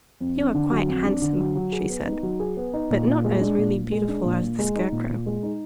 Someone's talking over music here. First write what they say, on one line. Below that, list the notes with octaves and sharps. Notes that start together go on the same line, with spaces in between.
"You are quite handsome," she said; "but not as really beautiful as the Scarecrow."
F2
D4
D3
F#3
F2
D4
D3
F#3
F#3
G#4
B3
D#4
F#3
G#4
B3
D#4
A#2
A#2
G#3
D4
A#2
A#2
G#3
D4
A#2
A#2
G#3
D#4
A#2
A#2
G#3
D#4